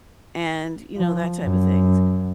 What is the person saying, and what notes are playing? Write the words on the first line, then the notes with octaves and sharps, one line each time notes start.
and, you know, that type of things.
F3
F#2